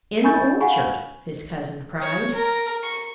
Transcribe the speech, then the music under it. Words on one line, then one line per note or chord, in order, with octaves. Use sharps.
"In the orchard!" his cousin cried.
A#4 G#5 B5 C#6 G6 A6
F5 F#5 G#5 B5 C#6
C#5
A#4
C#6